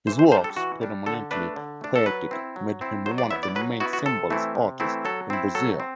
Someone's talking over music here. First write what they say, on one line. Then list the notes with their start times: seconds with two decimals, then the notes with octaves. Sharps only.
His works, predominantly poetic, made him one of the main Symbolist authors in Brazil.
0.07 E3 C5
0.19 C5
0.32 G3 D4 C5
0.44 A4
0.57 E3 F#4
0.81 G3 D4
1.06 D3 A4
1.31 A3 D4 B4
1.56 D3
1.81 A3 D4
1.96 A4
2.06 F#3 B4
2.31 C4 E4
2.56 F#3
2.81 C4 E4
3.06 F#3 C5
3.18 D5
3.31 B3 E4 E5
3.43 D5
3.55 F#3 B4
3.80 B3 E4 F#4
3.93 F#4
4.06 C3 A4
4.30 E3 A3 C4 E4
4.55 C3
4.80 E3 A3 C4 E4
5.05 F#3 A4
5.30 C4 E4
5.55 F#3 A4
5.80 C4